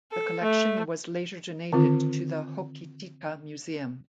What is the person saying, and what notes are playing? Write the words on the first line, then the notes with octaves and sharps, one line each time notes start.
The collection was later donated to the Hokitika Museum.
A4
A3
D3 D#3 C4 F4